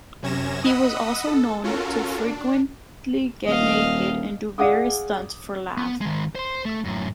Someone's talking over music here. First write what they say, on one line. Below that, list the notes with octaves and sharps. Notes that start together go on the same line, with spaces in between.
He was also known to frequently get naked and do various stunts for laughs.
F#2 C3 C#4 G#6 A#6 E7
D#5 F#5 B5 D#6 E6
A4
C#4 F4 F#4 A4 A#4
D4
D#1 D#5 F5
G#4 D5 F5 F#5 D6 D#6
B3
D#3 G#3
C5 C6
A3
F#2 A2